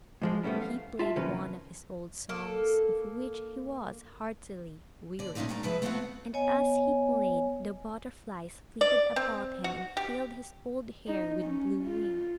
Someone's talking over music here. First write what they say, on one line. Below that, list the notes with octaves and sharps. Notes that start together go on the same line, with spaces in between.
He played one of his old songs, of which he was heartily weary, and, as he played, the butterflies flitted about him and filled his old hair with blue wings.
G#2 F3 G#3
F3 G3 A3 B3 C#4 E4
F5
F4 E5 A5
C3 D#3 F3 A#3 C#4 B4
A#3 A4
D3 D5
A2 C3 C#4 D#4 F4 G4
G2 A3 G4 A#5
C3 F3 G#3 B4 E5
A3 B3 C4 E4 F4 F#5
B3 C#5 D#5 G#5
D5
C4
F#4
G4
D#4
C#4
F4